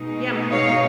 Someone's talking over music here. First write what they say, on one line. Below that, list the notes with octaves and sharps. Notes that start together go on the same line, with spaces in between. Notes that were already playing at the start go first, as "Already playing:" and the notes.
Yeah, m
Already playing: B2 G#3 D#4
C#5 F5